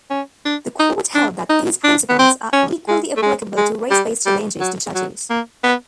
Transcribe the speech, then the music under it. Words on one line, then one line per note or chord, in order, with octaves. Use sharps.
The Court held that these principles are equally applicable to race-based challenges to judges.
C#4
D4
D#4
D4
D#4
D4
B3
C4
C#4
G#3
A3
G#3
G#3
G3
G3
F#3
F#3
A#3
B3